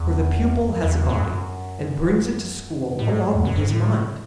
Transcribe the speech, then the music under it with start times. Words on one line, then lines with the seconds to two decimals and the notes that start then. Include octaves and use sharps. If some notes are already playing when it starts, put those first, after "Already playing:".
For the pupil has a body, and brings it to school along with his mind.
Already playing: E2
0.57 F#2
0.83 E2
1.09 F#2
2.90 G#2
2.99 A2
3.09 G#2
3.34 E2
3.45 F#2
3.56 G#2
3.68 A2